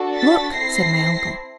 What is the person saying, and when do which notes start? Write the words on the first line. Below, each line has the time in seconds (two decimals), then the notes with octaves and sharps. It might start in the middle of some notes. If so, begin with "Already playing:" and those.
"Look!" said my uncle.
Already playing: D4 F#4 A4
0.16 A6 B6
0.54 C4 E4 A4 A#6 C7